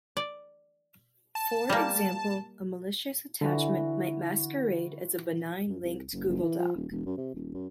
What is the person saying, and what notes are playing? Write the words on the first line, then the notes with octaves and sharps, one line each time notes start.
For example, a malicious attachment might masquerade as a benign linked Google doc.
D5
A5
G3 A#3
D3 E3 F#4
F#2
C2
F#1
F#1
E3
F3
D#1
E1
F#2
C3
D#1
F#2